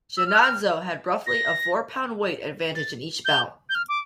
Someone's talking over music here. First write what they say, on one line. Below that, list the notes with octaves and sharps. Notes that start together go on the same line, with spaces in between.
Jannazzo had roughly a four-pound weight advantage in each bout.
E6
F6
A#6
A6
G6
G6
F6
D6